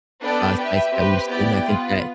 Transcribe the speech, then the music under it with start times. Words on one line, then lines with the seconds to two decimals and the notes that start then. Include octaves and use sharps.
uh, sites that we've seen, I think that,
0.22 B3 D4 A4 D5 G5
0.59 G4 B4 E5
0.94 C4 G4 B4
1.29 B3 E4 G4 D5 G5
1.65 B3 F4 B4